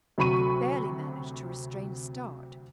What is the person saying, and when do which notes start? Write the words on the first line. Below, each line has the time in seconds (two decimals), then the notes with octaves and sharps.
He barely managed to restrain a start.
0.18 D2 C3 F#3 B5 C#6 D#7